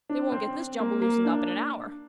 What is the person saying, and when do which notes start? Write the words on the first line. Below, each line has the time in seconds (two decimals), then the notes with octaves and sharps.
They won't get this jumble loosened up in an hour.
0.10 D4
0.32 C4
0.79 A#3
1.02 A#3
1.25 D4